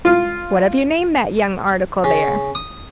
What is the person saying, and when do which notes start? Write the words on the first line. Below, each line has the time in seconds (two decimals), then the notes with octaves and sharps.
"What have you named that young article there?"
0.05 F4
2.04 C#3
2.55 D#6